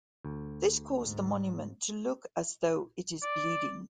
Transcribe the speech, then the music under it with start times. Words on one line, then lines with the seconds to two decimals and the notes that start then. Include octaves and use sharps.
This caused the monument to look as though it is bleeding.
0.25 D2
1.00 G#2
3.22 D5